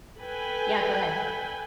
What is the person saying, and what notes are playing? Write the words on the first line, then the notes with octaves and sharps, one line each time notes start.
Yeah, go ahead.
A4 B4 G5 G#5